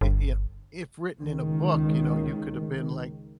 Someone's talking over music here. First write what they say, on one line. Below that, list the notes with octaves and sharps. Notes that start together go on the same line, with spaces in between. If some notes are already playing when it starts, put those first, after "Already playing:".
i i a if written in a book, you know, you coulda been like,
G1
C#2 D#3